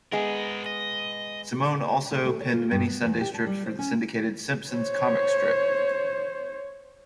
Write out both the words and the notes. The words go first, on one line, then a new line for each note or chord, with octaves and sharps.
Simone also penned many Sunday strips for the syndicated "Simpsons" comic strip.
G#3 B3 G#4 A#4
D#5
A3
A3
C#5
F4
G2
B3
E2
G4
A5
G3
C5
C#4
C5 C#5